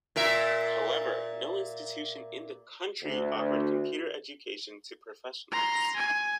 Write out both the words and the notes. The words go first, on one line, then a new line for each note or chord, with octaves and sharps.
However, no institution in the country offered computer education to professionals.
A#2 A#4 E5
D2
A#5 C6
G#5